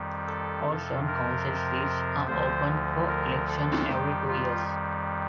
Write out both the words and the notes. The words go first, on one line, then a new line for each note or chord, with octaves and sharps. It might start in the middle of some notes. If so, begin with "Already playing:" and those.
All seven council seats are open for election every two years.
Already playing: F2 D#3 G3
A4
F2 C3 F3
A#4
D2 D3 F3 C5
A#4
A4
F2 D#3 G3 G4
F4